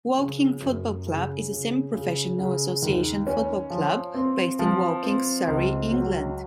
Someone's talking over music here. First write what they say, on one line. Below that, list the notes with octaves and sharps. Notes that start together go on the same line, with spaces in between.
Woking Football Club is a semi-professional association football club based in Woking, Surrey, England.
C#3
F#2
C#3
C#3
C#3
C#3
D#2
C#4
F3
C4
F3
C4
C#2
F#3